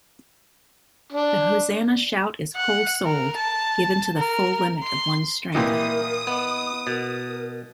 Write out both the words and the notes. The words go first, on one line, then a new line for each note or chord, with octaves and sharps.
The Hosanna Shout is whole-souled, given to the full limit of one's strength.
D4
F#5
A#4
A5
A#4
C6
A#2 E3 E4 G4 A#4 D#5 D#6
B3 D#5
B2 A#4